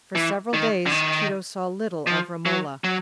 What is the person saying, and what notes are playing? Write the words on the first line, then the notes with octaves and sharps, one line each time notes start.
For several days Tito saw little of Romola.
E3
D#3
D3
D#3
F3
F#3
F#3